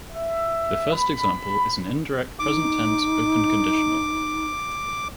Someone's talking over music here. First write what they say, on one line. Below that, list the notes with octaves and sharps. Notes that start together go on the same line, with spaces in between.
The first example is an indirect present tense open conditional.
E5
B5
D#4 D6